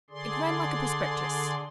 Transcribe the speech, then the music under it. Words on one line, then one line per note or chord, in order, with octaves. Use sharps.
It ran like a prospectus.
D3 G#4 D5 C6